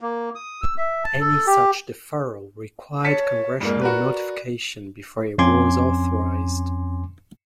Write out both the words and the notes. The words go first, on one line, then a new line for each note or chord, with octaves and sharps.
Any such deferral required congressional notification before it was authorized.
A#3
D#6
E6
E5
A5
A4
G4
C#5 A5 B6 C#7
F2 G#2 A#3 D5
F#4 A#4 B4
F2 C#4 G#5 C6 D6 G#6